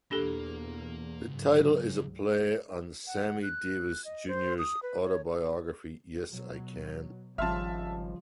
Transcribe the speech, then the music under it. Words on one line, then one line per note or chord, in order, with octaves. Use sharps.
The title is a play on Sammy Davis, Junior's autobiography "Yes, I Can".
E2 B2 A#3 D4 G4 A4
C#2 G#2 F#3
F#5
F#6
D#5
C5
D#6
B4
C#5
B2 F#3
G#1 C#3 F3 G3 E5 A5 C6 F6